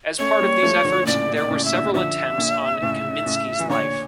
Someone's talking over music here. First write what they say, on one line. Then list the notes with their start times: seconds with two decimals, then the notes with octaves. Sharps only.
As a part of these efforts, there were several attempts on Kaminski's life.
0.19 A3 C#4 C#5
0.41 G3 A#3
0.63 F3 A3
0.85 D3 F3
1.02 A#2
1.06 A2 C#3 D5
1.28 A#2
1.36 D5
1.51 A2 C#3
1.65 E5
1.72 A#2 D3
1.94 D3 F3 E5
2.38 A#2 D3
2.82 A2 C#3
3.26 A2 C#3
3.59 E3
3.70 A#2 D3 C#5